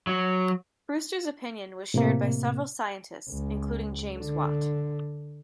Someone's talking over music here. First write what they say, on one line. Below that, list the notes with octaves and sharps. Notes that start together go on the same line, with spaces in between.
Brewster's opinion was shared by several scientists, including James Watt.
F#3
A2 C3 A#3
C#2
D3